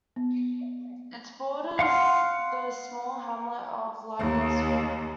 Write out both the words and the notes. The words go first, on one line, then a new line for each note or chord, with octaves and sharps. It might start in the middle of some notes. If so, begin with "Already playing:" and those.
It borders the small hamlet of Low Westwood.
B3
F5 F#5 C6 F6
D#2